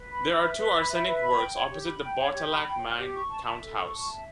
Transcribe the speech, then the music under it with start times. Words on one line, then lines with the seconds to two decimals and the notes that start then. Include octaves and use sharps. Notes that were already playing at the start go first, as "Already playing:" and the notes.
There are two arsenic works opposite the Botallack Mine count house.
Already playing: B4
0.10 B5
0.26 E5
0.42 B4
0.58 B4
0.73 B5
0.89 E5
1.06 B4
1.21 B5
1.37 G5
1.53 C#5
1.69 G4
1.86 B5
2.01 G5
2.17 C#5
2.33 G4
2.49 B5
2.65 G5
2.81 C#5
2.97 G4
3.13 C#6
3.28 A5
3.45 E5
3.61 A4
3.76 C#6
3.92 A5
4.08 E5